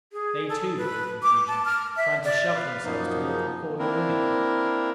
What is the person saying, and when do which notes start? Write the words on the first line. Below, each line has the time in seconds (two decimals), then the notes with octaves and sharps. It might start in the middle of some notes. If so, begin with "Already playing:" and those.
They too, were in confusion, trying to shove themselves toward the fallen women.
0.12 G#4
0.49 A4
0.77 B4
1.22 D6
1.47 A5
1.65 F6
1.96 E5
2.24 D5
2.54 B4 F5
2.84 F#2 F3 A#3 B3 D#4
3.79 A#3 C4 D4 E4 A#4